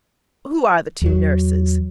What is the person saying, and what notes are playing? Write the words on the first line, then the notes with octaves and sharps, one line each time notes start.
'Who are the two nurses?'
E2 F#3